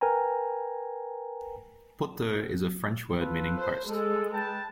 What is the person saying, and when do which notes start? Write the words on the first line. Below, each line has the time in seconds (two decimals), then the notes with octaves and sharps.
"Poteau" is a French word meaning post.
0.01 A#4 B4 G5 G#5 A#5
3.20 F4 A4 B4
3.58 C5
3.89 G#3 A4
4.32 B4 G5 A5